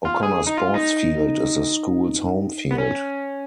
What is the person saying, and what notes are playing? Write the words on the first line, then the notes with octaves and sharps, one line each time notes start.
O'Connor Sports Field is the school's home field.
F4
G#4
D#4
F4
D#4
B3
C#4